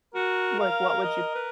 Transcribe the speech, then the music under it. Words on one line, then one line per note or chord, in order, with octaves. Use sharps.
Like, what would you
F#4 A#4
F5
D#5
B4